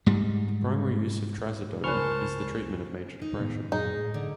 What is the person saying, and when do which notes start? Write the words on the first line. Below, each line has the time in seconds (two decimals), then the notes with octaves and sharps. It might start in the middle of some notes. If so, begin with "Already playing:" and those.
The primary use of trazodone is the treatment of major depression.
0.06 G#2 G3
1.84 C#2 A#4 C5 G#5 A5 B5 C#6 F6
3.21 D#4
3.39 A2 D#3 B3
3.72 F#2 A#2 F#3 G#3 D#4
3.97 A2
4.14 D3